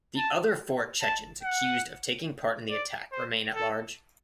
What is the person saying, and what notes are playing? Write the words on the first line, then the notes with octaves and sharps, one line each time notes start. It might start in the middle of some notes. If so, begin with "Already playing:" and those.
The other four Chechens accused of taking part in the attack remain at large.
A5
A5
F#5
D5
C5
A4